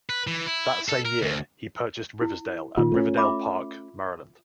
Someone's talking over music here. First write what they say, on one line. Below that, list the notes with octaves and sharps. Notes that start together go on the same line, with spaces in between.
That same year, he purchased Riversdale at Riverdale Park, Maryland.
B4
E3
E4
A4
A#4
D2
E4
A#2 D#3 F4
A3 C4 C#4
E5 B5 D6